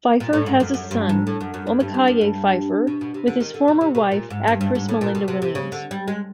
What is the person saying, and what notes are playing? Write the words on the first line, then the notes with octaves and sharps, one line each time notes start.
Phifer has a son, Omikaye Phifer, with his former wife, actress Malinda Williams.
A#2
A2
G#2
F#2
F#2
G2
G#2
A2
F#2
F#2
F#2
G2
F#2
F#2
G2
B2
B2
C3
D3
D#3
D3
B2
C3
B2
A#2
G#2
G2
G2
G#2
A2
A#2
B2
C3
C3
C#3
D3
G3
G#3